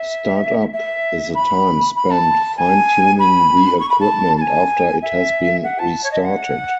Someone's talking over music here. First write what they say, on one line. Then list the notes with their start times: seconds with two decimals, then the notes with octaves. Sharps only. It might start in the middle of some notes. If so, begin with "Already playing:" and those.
"Start-up" is the time spent fine tuning the equipment after it has been restarted.
Already playing: E5
0.73 E5
1.34 B5
1.95 B5
2.10 A5
2.56 G#5
3.19 B5
3.79 C#6
3.89 B5
4.00 A5
4.36 A5
4.41 G#5
5.02 E5
5.64 F#5
5.78 A5
6.03 C#5
6.11 D#5
6.17 E5
6.24 F#5